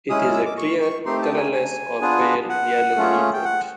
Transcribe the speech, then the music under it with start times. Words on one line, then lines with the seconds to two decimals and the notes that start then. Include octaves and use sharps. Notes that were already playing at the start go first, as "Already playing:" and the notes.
It is a clear, colourless or pale yellow liquid.
0.10 G#3 C#4 E4 G#4 D#6
0.22 F6
0.34 E6
0.46 D6
0.58 C#6
0.82 C#6
1.06 A3 C4 D#4 G4 C6
1.22 A5
1.37 G#5
1.53 G#5
2.01 B3 D4 F4 G#4
2.49 F#5
2.97 A3 C#4 F4 G#4
3.33 G5
3.44 F#5